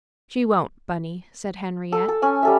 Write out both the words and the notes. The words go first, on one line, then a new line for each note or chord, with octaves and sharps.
"She won't, Bunny," said Henriette.
A4
A4
C#4 G#5
G3 A4 E5